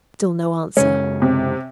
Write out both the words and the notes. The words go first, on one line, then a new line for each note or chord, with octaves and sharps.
Still no answer.
F#2 C#3 G#3 C#4
C3